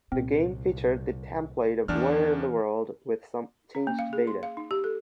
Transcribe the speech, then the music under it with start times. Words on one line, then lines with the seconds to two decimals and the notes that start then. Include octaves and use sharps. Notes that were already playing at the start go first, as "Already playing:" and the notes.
The game featured the template of "Where in the World" with some changed data.
0.12 C2 A#2 C4
1.88 E2 E3 D4 F6
3.75 C#4
3.87 A#3
3.99 F5
4.13 G#4
4.27 C6
4.43 F5
4.57 D#4
4.71 G4
4.84 A4